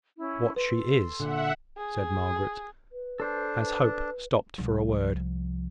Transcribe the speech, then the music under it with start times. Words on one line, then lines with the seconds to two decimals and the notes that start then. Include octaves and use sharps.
"What she is," said Margaret, as Hope stopped for a word.
0.17 C#4 E4
0.56 A4 B4 C6
1.20 A#2 D3 E5 F#5
1.77 G#4
2.92 B4
3.20 D4 A4 C5 G6
3.58 B4
4.58 C2 F3